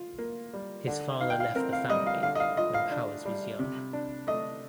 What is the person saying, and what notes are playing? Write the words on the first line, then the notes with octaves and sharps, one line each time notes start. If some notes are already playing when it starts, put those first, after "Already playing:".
His father left the family when Powers was young.
Already playing: F4
A#3
G3
D3
D#4 F5
G5
F5
C4 A#4
F5
G3 D#5
F5
D3 F5
D#5
F5
F4 D#5
F5
D4
G3
C3
D4
A3 D#5